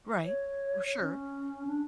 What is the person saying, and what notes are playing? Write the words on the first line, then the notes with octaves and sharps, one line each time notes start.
Right, r sure.
C#5
C#4
D4